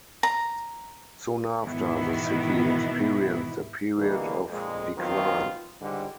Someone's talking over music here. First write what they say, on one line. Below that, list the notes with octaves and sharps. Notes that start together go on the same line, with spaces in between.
Soon after, the city experienced a period of decline.
A#5
G#2 B2 D#3 E3 B3 E4
B2 D3 E3 G3 G#3 A#3
F2 A#2 G#3
D#3 F3 F#3 B3 C4 F4
C#2 G#2 D3 G3